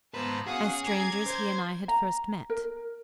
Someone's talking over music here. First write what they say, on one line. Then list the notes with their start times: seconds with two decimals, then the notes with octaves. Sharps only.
As strangers he and I had first met.
0.14 G#2 B3 B4 C5 A5 A#5
0.47 C#4 F#4 G#4 F5 F#5 G#5 D#6
0.87 A#5 D6 G#6
1.26 C5
1.88 A#5
2.50 A#4